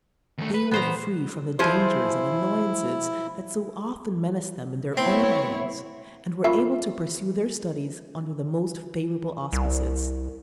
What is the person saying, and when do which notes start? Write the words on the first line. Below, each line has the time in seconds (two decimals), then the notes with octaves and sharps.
They were free from the dangers and annoyances that so often menaced them in their own homes and were able to pursue their studies under the most favorable auspices.
0.38 D#2 A3
0.54 B4
0.71 A#2 E3 B3 C5 A#5
1.59 F3 E4 G#4 C5
4.97 B3 C4 E4 C#5
6.44 A#3 C#4 F4 E5 B5
9.53 C2